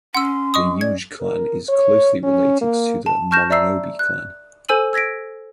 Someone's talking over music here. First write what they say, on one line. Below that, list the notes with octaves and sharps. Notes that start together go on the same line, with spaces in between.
The Yuge clan is closely related to the Mononobe clan.
C#4 F#5 C6 E6
D#5 C#6 D#6
D5 G#6
A#4
C#5
C#4
A#3
A5
A5 C#6 F6 G6 A#6 E7
D5 E5 A#5 E6 C7
F#6
A4 C5 G#5 E6 D#7 F#7
E6 G#6 A#6 B6 D7